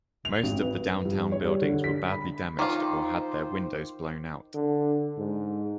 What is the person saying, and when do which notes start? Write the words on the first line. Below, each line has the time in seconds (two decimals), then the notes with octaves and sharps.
Most of the downtown buildings were badly damaged or had their windows blown out.
0.25 F7
0.43 G#1
0.61 B4
1.05 G2
1.32 C#5
1.45 G3
1.62 D3
1.84 B6
2.12 B5
2.59 D#3 D#4 F4 C5 D6
4.54 D3
5.18 G#2